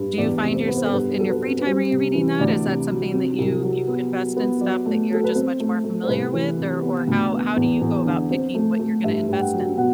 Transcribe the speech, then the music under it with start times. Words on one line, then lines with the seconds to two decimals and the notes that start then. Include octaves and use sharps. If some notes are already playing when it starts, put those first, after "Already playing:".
do you find yourself, in your free time, are you reading that? Is that something that you you invest in stuff that you're just much more familiar with? Or or how how do you go about picking what you're gonna invest in?
Already playing: G2
0.18 E2 D5
0.43 C3
0.55 C5
0.66 B3 B4
0.76 C5
0.86 A4
0.92 G2 B4
1.16 F#3 A4
1.29 B4
1.42 C4
1.58 B4
1.66 G3 C5
1.91 C3
2.15 E3
2.39 D2 D5
2.65 C3
2.88 F#3
3.13 C4
3.38 C2
3.63 F#3
3.87 B3
4.11 F#3
4.36 B3
4.61 F#3 D5
4.86 A3
5.11 F#3 A4
5.24 B4
5.35 C4 C5
5.60 A3
5.84 A3
6.03 C5
6.09 C2 B4
6.33 E3
6.58 C3
6.82 B3
7.07 D2
7.32 B3
7.56 E2
7.81 E2
8.06 D3
8.30 C4 C5
8.55 A3
8.80 A3
9.04 G2 E5
9.29 G2 G5
9.41 F#5
9.54 F#3
9.78 B2 F#5